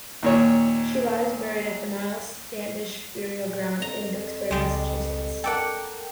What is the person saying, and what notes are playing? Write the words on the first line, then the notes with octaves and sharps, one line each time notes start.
She lies buried at the Miles Standish Burial Ground in Duxbury, Massachusetts.
D#2 A#2 C#5
A#2
F2 A#5
C#2 G3 G#3
A4 A#4 D5 F#5 G5